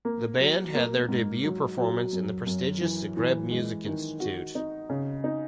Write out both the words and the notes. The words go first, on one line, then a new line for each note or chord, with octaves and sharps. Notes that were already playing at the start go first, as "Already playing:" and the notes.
The band had their debut performance in the prestigious Zagreb Music Institute.
A#3
F#3
A#3
G#2
F#3
F#3
F#2
F#2
E3
E3
G#3
D#3
F#4
D#4
C#3
D#4